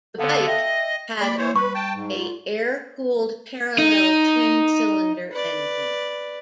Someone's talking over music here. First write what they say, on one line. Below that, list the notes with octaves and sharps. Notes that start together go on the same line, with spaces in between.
The bike had a air cooled parallel twin cylinder engine.
D3 B3 A4 F5 A5
D#5 E5 G5
A#3 D5 B5
E3 A#3 C5 C#5
G3 B4 C#6
G5 A5
G#2
F4
D#4
B4 D5